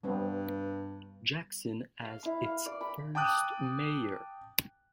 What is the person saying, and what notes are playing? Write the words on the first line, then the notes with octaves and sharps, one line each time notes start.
Jackson as its first mayor.
G2 G3 B3 C4
F5
E4
F5
D5
B5
G5 A5 D6 D#6 F#6